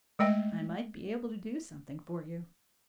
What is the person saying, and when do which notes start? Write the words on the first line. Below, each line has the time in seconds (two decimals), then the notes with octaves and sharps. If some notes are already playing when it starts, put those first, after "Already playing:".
'I might be able to do something for you.
0.19 G#3 A3 D#5 G5